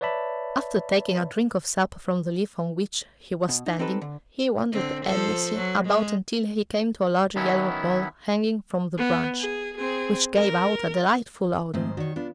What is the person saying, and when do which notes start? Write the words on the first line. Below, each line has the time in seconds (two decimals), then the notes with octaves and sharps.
After taking a drink of sap from the leaf on which he was standing, he wandered aimlessly about until he came to a large yellow ball hanging from the branch, which gave out a delightful odor.
0.01 B4 C#5 D5 E5 A5 B5
3.49 B2
3.66 D#4
3.79 C4 D#4 G4 A4 B4
4.02 D3
4.72 D3 C4
5.05 F3 A4 C5
5.57 F#3
5.86 G#3
7.36 D#3 F#3 B3 C#4 E4
8.97 B3
9.40 G#4
9.76 C4 G#4
10.35 A#4
11.74 G#2 D#3 A3 C4 C5
11.97 D#3 F#4 C#5 D5
12.16 B3 D4 F4